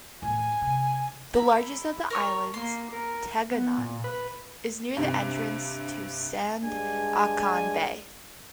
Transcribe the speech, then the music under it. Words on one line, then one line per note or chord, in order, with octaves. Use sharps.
The largest of the islands, Taganak, is near the entrance to Sandakan Bay.
A2 D3 G#5
C3
E4 A#5 B5
A#4 C#5 A5
A#3 C6
A#4
B3
A#2
B4
G2 C3
G2 G#3 D4 G#5